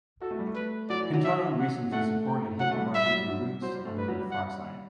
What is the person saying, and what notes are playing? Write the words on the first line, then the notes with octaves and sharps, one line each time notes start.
Kentaro recently supported hip-hop artists The Roots and The Pharcyde.
F#4 A4
A3
G3
A3
B4
F#3 D5
E3
F#3
E5
F#5
A3 F#5
G5
F#3 F#5
A3
G3
G3 E5
F#3
G3
F#3
G3
F#3 C5
G3
A3
G3 B4
F#3
G3
F#5